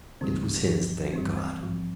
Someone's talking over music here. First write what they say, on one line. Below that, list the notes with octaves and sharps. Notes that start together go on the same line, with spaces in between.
It was his, thank God!
C#2 C#3 E3 G3 C4
G#1 G2 F3
G1 G2 E3 G3 C4
C4
A#1 G#2 F3